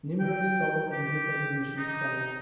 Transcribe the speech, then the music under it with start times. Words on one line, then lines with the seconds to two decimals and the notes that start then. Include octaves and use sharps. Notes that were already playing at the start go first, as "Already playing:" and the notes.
Numerous solo and group exhibitions followed.
0.20 G5
0.92 G4
1.77 D#4